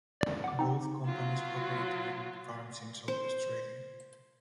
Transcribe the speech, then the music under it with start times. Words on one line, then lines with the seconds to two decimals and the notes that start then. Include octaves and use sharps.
Both companies operate wind farms in South Australia.
0.21 D5
0.44 F#5 D6
0.59 C4 D#4
1.06 F#3 F4
3.08 C5